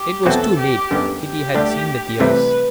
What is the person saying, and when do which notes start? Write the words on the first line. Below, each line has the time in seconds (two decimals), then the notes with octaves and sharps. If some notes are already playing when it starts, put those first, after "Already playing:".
It was too late; Kitty had seen the tears.
Already playing: G4
0.26 E2 B2 F#3 C4 F#4 A4
0.59 G4
0.91 F#2 D3 G3 B3
1.23 G4
1.55 D2 D3 G3 D4
2.19 C2 C3 E3 A3 E4 B4